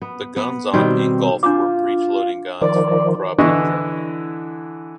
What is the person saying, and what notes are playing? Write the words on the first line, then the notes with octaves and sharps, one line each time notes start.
The guns on "Ingolf" were breechloading guns from Krupp in Germany.
B3
B3
B2 D#3 G3 C4
D4 F4 A#5 D6
D#3 F3 D5
D3 E3 E4 D#5 C#6